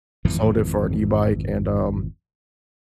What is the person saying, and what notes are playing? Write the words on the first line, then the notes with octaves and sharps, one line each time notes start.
sold it for an e-bike and, um
G#1 F2 A2 E3